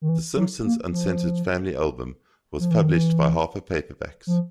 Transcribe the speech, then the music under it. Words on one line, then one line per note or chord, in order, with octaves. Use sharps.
"The Simpsons Uncensored Family Album" was published by Harper Paperbacks.
D#3
E3
F#3
A#3
F3
F3
E3
D#3
E3
F3